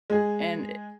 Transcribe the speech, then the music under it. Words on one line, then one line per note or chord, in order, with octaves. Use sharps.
And, eh,
G#3 G#4